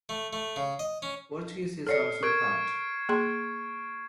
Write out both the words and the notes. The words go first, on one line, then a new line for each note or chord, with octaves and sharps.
Portuguese is also taught.
A3
A3
C#3
D#5
C#4
A4 C#5 D5 F6 C7 C#7
A#4 C#6 G#6 D7
A#3 G#4 C6